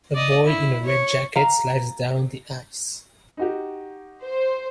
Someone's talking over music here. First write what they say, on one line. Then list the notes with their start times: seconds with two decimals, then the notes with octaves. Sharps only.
A boy in a red jacket slides down the ice.
0.15 D5 D#5
0.45 E4
0.85 C#5
1.36 F5 A#5
3.37 D#4 F#4 G4
4.23 C5